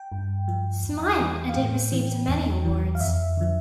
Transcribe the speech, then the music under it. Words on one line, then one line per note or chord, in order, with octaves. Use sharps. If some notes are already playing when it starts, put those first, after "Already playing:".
Smile and it received many awards.
Already playing: G5
G2
F3
E2
E3
F5
A2 G5
E3
E2
E3
F5
F2 E5
D3 F3